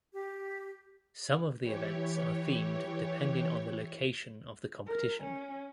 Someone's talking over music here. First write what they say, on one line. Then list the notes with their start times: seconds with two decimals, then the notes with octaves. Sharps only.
Some of the events are themed depending on the location of the competition.
0.13 G4
1.61 E3 G4 C#5
4.87 A#4
5.20 C#4